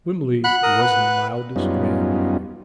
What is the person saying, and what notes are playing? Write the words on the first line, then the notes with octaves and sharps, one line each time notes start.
Wimley was the mildest man living.
F#5 B5
A#4 D#6
B4
F#2 G3 B3 C#4 D#4 F4